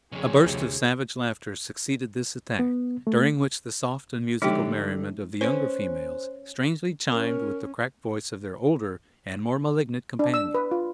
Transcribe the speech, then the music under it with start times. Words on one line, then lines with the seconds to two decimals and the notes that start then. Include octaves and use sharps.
A burst of savage laughter succeeded this attack, during which the soft and musical merriment of the younger females strangely chimed with the cracked voice of their older and more malignant companion.
0.12 F2 C#3 G#4 C#5
0.45 D2 C3
2.59 B3
3.07 A3
4.42 D3 F3 G#3 D#4 G4
5.41 C#4 B4 C5
7.11 C#4 A#4
10.19 D4
10.34 E6
10.55 B4
10.71 F4